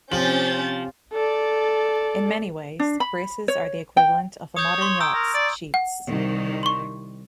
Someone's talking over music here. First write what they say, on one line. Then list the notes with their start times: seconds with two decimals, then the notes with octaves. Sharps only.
In many ways, braces are the equivalent of a modern yacht's sheets.
0.11 C3 F3 C#4 G4 C5 G6 A6 F#7
1.13 A4 D5
2.79 D4
3.00 B5
3.48 C#5
3.97 G5
4.57 C#5 D#6 G6 G#6
4.81 C6 C#6
5.00 G5 A#5 D#6 E6
5.14 A#4
5.34 D5
5.74 F#5
6.07 C2 D#3
6.63 C6 C#6